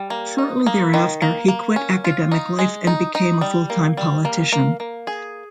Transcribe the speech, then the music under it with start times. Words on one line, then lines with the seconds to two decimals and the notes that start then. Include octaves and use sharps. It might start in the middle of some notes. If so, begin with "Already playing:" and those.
Shortly thereafter, he quit academic life and became a full-time politician.
Already playing: G3
0.10 A#3
0.38 D#4
0.66 A#3
0.94 D#3
1.22 A#3
1.48 A#3
1.76 C#4
2.04 F4
2.32 D#4
2.59 G#3
2.87 D#4
3.15 D#4
3.41 G3
3.70 A#3
3.97 G3
4.25 A#3
4.52 A#3
4.80 A#3
5.07 G#4